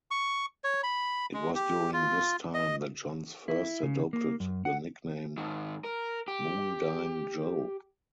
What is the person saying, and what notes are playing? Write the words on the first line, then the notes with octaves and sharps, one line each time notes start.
It was during this time that Johns first adopted the nickname "Moondyne Joe".
C#6
C#5
B5
G#3
G4
F4
D#5
E4
C#3
A#3
F#2
F#5
G#2 D#3
A#4
G4